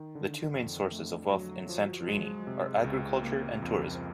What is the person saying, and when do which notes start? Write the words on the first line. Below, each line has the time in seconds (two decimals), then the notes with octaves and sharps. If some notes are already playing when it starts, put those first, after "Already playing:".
The two main sources of wealth in Santorini are agriculture and tourism.
Already playing: D#3
0.15 D3
0.54 F2
0.92 A3
1.32 F#3
1.69 F3
2.08 G#3
2.47 C3
2.84 C#2
3.23 A#3
3.62 F2